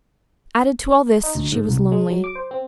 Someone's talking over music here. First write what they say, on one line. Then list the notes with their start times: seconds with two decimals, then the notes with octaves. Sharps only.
Added to all this, she was lonely.
1.24 D#4
1.35 D2
1.52 G#2
1.69 C2
1.92 G#3
2.10 F#3
2.24 D6
2.35 C5
2.51 C4